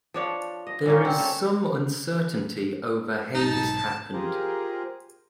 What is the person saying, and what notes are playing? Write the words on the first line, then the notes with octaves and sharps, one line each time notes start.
There is some uncertainty over how this happened.
F3 D4 C#5
D#5
A#2 A#3 C#4
C4
C#4 A4
B1 G#2 D#4 A5
F4 G4 G#4 A#4 C5